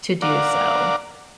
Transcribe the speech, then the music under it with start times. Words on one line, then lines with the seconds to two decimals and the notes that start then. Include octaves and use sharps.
to do so."
0.22 D4 A#4 D5 F5 F#5